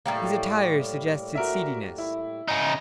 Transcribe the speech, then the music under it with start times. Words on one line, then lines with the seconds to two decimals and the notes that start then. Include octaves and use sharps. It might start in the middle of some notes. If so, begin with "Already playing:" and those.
His attire suggested seediness.
0.06 A2 G3 A#3
1.35 F#4 A#4 E5
1.98 E4
2.48 C#3 D#4